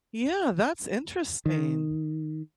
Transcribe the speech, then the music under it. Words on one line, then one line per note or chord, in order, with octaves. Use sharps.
Yeah, that's interesting.
D#3